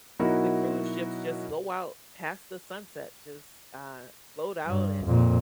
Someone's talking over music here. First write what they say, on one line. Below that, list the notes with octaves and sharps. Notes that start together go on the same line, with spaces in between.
the cruise ships just go out past the sunset, just, uh, float out and
B2 F#3 D#4 E4 F#4 A#4
G2
F2 A#2